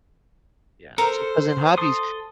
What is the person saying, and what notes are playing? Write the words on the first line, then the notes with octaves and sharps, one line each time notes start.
Yeah, so 'cause in hobbies,
A4 A#4 C5
A4 C6 D#6